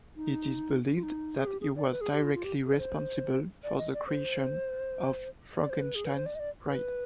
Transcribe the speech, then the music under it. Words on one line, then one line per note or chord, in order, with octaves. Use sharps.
It is believed that he was directly responsible for the creation of "Frankenstein's Bride".
D#4
F4
D#4
G#4
G4
G#4
D5
B4
G#4
G4
F4
F4
G4
G#4
D5
C5
D5
D#5
D5
C5
D5
C5
B4
G#4
B4
C5
D5
D#5
D5
B4